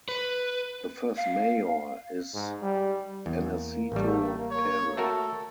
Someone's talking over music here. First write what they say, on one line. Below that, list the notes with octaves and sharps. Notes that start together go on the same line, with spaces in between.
The First mayor is Aneceto Pere.
B4
F5
G#2
G3
E2 A#3
A1 G3 A3
C#5
A3 F#4 A4 A#4